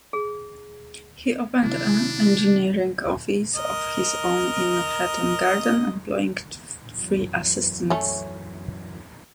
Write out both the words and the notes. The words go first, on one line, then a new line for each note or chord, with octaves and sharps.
He opened an engineering office of his own in Hatton Garden, employing three assistants.
G#4
C3 D#3 F#3 D4 E4
A#4 D#5
F#2 E3 F#3
A3 C#4